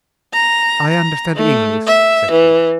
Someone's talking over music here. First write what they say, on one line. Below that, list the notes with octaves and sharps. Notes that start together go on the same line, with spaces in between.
"I understand English," said he.
A#5
A#5
A3
E5
E3